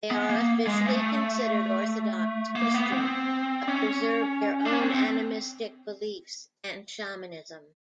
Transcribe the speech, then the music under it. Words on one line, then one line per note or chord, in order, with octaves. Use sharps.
They are officially considered Orthodox Christians, but preserved their own animistic beliefs and shamanism.
B3
A#3
G#3
A3
A#3
B3
C4
C#4
D4
C#4
C4
C4